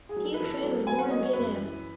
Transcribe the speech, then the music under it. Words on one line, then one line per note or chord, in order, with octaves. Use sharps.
Hieu Trinh was born in Vietnam.
G#4
F#3
A4
B4
E2 A4
F#3
F#3 G#5
F#5
F#3 D#5
C#5
F#2 B4
E3